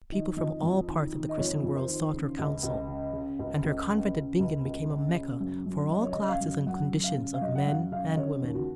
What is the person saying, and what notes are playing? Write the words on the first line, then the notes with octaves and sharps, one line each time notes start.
People from all parts of the Christian world sought her counsel; and her convent at Bingen became a Mecca for all classes and conditions of men and women.
D#3 D#5
F2 D#5
F2
D#3
D#3
D#5
F2 C#5
F2
C5
D#3
C#3
C#2
C#2
C#3
C#3
C#2
C#2
C#3
C#3
C#2
C#2
C#3
C#3
F#2
F#2
C#3 D#5
C#5
D#5
C#3
D#5
F5
F#2
F#2 F#5
C#3
F5
C#3
F5
F#2 D#5
F#5
F#2 F5
C#3 F5
D#5
C#3 C#5
D#2
F#4